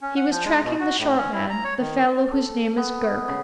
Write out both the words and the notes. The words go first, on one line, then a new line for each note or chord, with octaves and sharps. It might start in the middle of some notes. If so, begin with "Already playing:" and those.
He was tracking the short man, the fellow whose name is Girk.
C#4
F#5
F3
G#3
B2
F#4
A2
C#4
E4
A#5
C#5
D#3
A4
B3
C#3